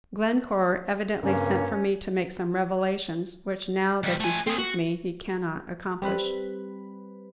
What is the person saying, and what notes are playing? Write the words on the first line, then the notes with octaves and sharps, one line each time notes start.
Glencore evidently sent for me to make some revelations, which, now that he sees me, he cannot accomplish.
G2 C#3 A#3 C4 C#4
D#2 G3
A3 G#5
C4 G#4
F#4
G3 C4 B4 B5